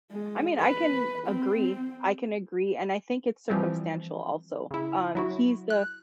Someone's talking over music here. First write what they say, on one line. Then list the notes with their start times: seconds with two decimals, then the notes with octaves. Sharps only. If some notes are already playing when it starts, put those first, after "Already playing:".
I mean, I can agree, I can agree, and I think it's circumstantial, also, um, he's the
0.11 G#3
0.59 B4
1.27 C4
3.50 E3 F3 G3 C4
4.71 C#3 E4
5.15 F#3 E4 F#4
5.70 F#6